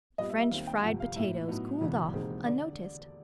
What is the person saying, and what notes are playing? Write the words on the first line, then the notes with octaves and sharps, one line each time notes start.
The French fried potatoes cooled off, unnoticed.
A#2 G3 B3 D#5
E5
E5
D#2 D#3 G3 C4 F5
G5
G1 F2 C3 F#5
F5
A2 F3 A#3 E5
A2 F#3 B3 D#4
E1 E2 C#3 E3 G#3
E1 D#2 D#3 G#3 C4
D3 D5